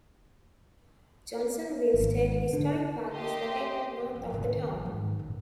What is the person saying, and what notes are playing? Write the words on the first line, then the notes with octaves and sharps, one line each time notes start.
Johnsonville State Historic Park is located north of the town.
G#1
D3
G4 D#5 E5 C6
F3
A2 C#3
D#3
E3
G#2 D#3
F#2 A#2